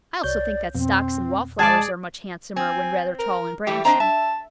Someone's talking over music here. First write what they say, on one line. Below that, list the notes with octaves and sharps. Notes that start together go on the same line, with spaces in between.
I also think that Stocks and Wallflowers are much handsomer when rather tall and branching.
C2 C#5 D5 G6
F2 B2 C4
G#3 G#4 D5 A5
C4 G#5
A#4
E3 G3 A3 G4
C4 D4 D#5 A#5
E5 A5